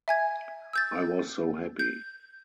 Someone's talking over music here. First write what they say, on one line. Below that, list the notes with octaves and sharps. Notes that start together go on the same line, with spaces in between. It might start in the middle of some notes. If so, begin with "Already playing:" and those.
I was so happy.
E5 G#5 G#6
E6 G6 A6
G6